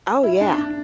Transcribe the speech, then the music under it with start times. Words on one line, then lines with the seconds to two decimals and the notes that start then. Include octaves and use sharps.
Oh, yeah.
0.23 E4
0.41 D4
0.58 D4